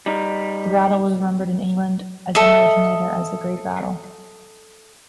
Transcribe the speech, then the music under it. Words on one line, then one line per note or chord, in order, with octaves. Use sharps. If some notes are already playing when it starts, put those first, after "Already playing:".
The battle was remembered in England a generation later as "the Great Battle".
G3 D#4
A4 D#5 E5